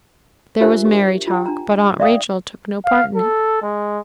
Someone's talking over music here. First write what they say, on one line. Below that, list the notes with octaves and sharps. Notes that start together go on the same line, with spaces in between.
There was merry talk, but Aunt Rachel took no part in it.
D4 F4 G4 A#4 C5 E5
G4
F4 G5
D4 A#5
D5 E5 F5 G5 D#6
F5
A4
G#3